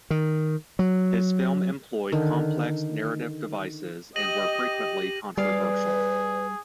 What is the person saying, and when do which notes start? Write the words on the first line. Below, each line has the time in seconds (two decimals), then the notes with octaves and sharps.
His film employed complex narrative devices and were frequently controversial.
0.10 D#3
0.79 F#3
2.12 D3 D#3
4.16 G4 D#5 A#6 D#7 F#7
5.38 G3 G#4 B4 D5 F5